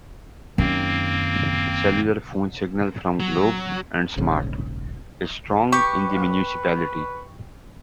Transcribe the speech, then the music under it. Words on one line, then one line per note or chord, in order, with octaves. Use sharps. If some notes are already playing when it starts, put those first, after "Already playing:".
Cellular phone signal from Globe and Smart is strong in the municipality.
F#2 D#3 A#3 C4
F#3
D#1 A#1 G#2 C#3
G4 B4 C#6